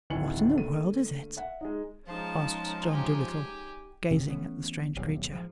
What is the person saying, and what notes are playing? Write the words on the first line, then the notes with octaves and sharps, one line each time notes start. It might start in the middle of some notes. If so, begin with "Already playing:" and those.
"What in the world is it?" asked John Dolittle, gazing at the strange creature.
D1 G#1 G#5 C#7 F#7
D3 A3 A#3 D#7
E5 F#5
G#3 D#4
F3 G#3 C#4 D#4 A5
G4 G#5
A1 C3
E3 A3 B3 C#4
D#1 B1 C3
G#2 E3 F3